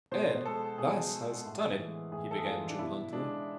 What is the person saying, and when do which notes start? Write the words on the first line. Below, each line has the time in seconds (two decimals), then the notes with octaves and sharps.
"Ed, this has done it!" he began, jubilantly.
0.11 B2 C5
0.45 G#3 A4
0.78 B2 G#4
1.12 G#3
1.45 A2
1.79 E3 G#3
2.12 A2 G#4
2.31 A4
2.38 G#4
2.45 E3 G#3 F4
2.68 D4
2.79 B2 E4
3.13 G#3 D4